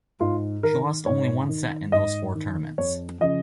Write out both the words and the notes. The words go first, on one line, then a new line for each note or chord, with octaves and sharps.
She lost only one set in those four tournaments.
G#2 F4
D#3 A#4
G#2 C#5
D#3
G#2 D#5
D#3
F2 C#5
C#3 F3 D#5